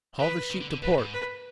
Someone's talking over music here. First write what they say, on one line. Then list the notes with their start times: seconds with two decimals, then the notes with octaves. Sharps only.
"Haul the sheet to port!"
0.20 D#3 B4
0.51 D#3
0.61 D3
0.71 D3
0.82 A#2 B4
0.98 G#2
1.13 B4